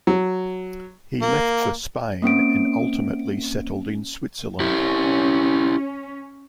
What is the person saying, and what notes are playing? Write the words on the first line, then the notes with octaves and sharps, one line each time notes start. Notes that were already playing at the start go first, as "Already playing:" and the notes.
He left for Spain, and ultimately settled in Switzerland.
F#3
A#3
A#3 C4 C#4 D7
C#4 E4 G4